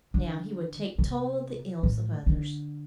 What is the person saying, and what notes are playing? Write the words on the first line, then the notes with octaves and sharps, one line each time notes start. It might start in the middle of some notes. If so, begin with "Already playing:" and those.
Now he would take toll of the ills of others.
D3
C3
A2
D3